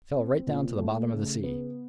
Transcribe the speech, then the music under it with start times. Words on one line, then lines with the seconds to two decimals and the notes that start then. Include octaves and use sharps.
It fell right down to the bottom of the sea.
0.15 C4
0.47 A#2
0.79 A3
1.12 C#3
1.44 B3